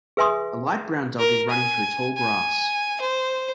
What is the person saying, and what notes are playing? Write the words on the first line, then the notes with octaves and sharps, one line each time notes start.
A light brown dog is running through tall grass.
G#4 B4 E5 G#5 C6 D#6
A#4
G#5
G#5
C5